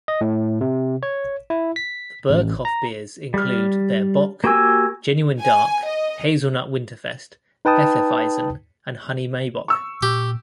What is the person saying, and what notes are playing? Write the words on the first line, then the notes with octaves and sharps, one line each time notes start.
The Berghoff beers include their Bock, Genuine Dark, Hazelnut Winterfest, Hefeweizen, and Honey Maibock.
D#5
A2
C3
C#5
E4
B6
A1
A#5
G3 F6
A#3 F#4 G4 G#5 E6
G#5
D#5
D#4 B4 G5 A5 D#6
C#6 E6
A#2 G4